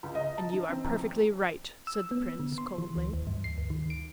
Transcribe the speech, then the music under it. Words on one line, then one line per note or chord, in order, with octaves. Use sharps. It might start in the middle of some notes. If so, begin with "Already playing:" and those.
"And you are perfectly right," said the prince, coldly.
C#2
D#5
A5
E3
C4
A#1
E6
B3
D3
C6
E3
D2
D#2
G2
C7
D2
D#3
D7